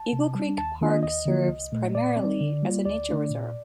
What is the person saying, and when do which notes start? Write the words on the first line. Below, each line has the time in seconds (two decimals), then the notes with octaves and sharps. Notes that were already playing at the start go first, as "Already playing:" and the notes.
Eagle Creek Park serves primarily as a nature reserve.
Already playing: A5
0.13 C3
0.35 G3 D4
0.58 D#2 A5
0.81 D#3 A#3 D4 F4
0.89 D#5
1.03 D#2 D#5
1.25 D3 F3 A#3 F4
1.49 C2
1.72 A#2 A3
1.95 A#2 D5
2.17 G3 C4
2.40 D3
2.63 G3 A#3 F4
2.85 D2 D5
3.09 D3 A3 D4
3.31 A#2